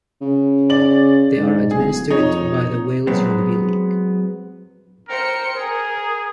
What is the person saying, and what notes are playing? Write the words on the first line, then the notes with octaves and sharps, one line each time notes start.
They are administered by the Wales Rugby League.
C#3
D5 F#7
G#2
D1 G#4
F2 D#4 C#5
F#3 G#3 B3 C4
A#4 C5 G5 C#7
G#4 A#4